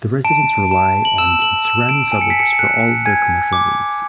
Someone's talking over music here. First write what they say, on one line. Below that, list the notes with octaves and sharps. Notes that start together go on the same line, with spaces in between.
The residents rely on the surrounding suburbs for all their commercial needs.
A5 D7
A5
F#7
E6 E7
F#7
E6 E7
D7
G#5 D7
C#7
B6
C#7
F#6 C#7
G#5 G#6
D6